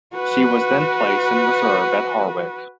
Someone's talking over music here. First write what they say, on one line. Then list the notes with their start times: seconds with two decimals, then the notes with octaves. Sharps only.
She was then placed in reserve at Harwich.
0.14 F#4 B4